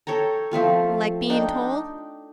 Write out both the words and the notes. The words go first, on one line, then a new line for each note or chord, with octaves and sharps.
"Like being told?"
A4 C#5 G5 A#5
F3 A3 C4 F4
D4 D#4 G5